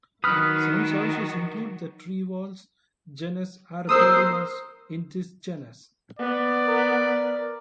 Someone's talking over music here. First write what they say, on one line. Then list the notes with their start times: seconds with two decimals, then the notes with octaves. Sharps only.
Some sources include the tree voles, genus "Arborimus", in this genus.
0.24 D#3 F#3 B4 D#6 F6
3.89 A#4 C5 D#6 E6 C7
6.19 B3 D5
6.66 A#4